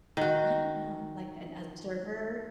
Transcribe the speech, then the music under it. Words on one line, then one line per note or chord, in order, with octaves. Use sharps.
I don't know, like an observer?
D#3 F#4